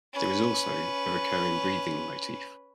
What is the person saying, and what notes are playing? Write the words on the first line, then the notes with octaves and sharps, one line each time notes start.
There is also a recurring breathing motif.
C#4 B4